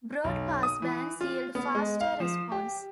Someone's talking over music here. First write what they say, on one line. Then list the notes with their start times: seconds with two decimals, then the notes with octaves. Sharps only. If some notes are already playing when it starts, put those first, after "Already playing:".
Broad passbands yield faster response.
0.24 B1
0.63 D#6
0.82 E3
1.21 F4
1.55 B3
1.75 G#3
2.01 F5
2.20 F3
2.52 G4